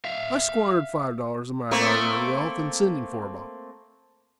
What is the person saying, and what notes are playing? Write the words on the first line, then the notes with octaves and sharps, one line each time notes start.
I squandered five dollars of my hard-earned wealth in sending for a bottle.
E5 F5
A3 A#3 C4